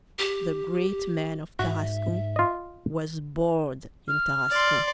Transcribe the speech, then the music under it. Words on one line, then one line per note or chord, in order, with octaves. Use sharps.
The great man of Tarascon was bored in Tarascon.
G4
G#2 F#4 E5
F4 D#5
F6
D5 C6